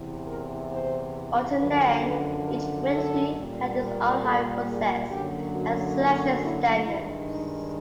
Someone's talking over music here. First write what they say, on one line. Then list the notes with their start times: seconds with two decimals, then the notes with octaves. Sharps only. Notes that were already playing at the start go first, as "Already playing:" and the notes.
Until then, each ministry had its own hiring process and selection standards.
Already playing: E2 C3 E3
0.26 A#4
0.71 C5
1.58 F#2 D3 F3 B4
2.02 B4
2.45 A#4
2.90 A4
3.34 A#2 G3 A#3
4.22 A4
4.65 G#4
5.09 F#2 D3 F#3 A#3 G4
5.53 F#4
5.97 F4
6.41 E4
6.85 G2 D#3 G#3 E4
7.28 D#4